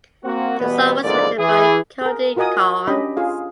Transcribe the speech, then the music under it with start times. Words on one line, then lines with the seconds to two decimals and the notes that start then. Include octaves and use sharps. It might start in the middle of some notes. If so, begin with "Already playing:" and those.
The song was written by Cody Carnes.
0.25 A#3 C4 F#4
0.59 B2 E3 G3 B3
1.03 A#1 E2 G#2 D3 A#3 D5
1.39 E3 G#4
2.01 G#4 A#4
2.36 F4 F#4 A#4 D#5 G#5 D#6
2.87 C#4 D4 G4 D#5 B5
3.17 F4 G#4 F5